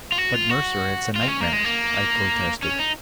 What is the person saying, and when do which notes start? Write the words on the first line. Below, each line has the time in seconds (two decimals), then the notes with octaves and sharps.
"But, Mercer, it's a nightmare!" I protested.
0.12 F4
0.18 F#4
0.34 F4
0.50 F#4
1.16 F4
1.22 C4
1.28 C#4
1.41 A#3
1.53 G#3
1.65 A#3
2.63 C#4
2.79 D#4